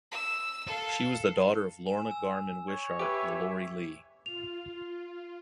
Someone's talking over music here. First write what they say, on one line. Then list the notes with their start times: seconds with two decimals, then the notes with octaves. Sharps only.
She was the daughter of Lorna Garman Wishart and Laurie Lee.
0.11 E6
0.66 A4 F5
1.86 G#5 E7
2.11 E6
2.69 C#5
2.99 G4 B4 E5 D6
4.26 F4 F7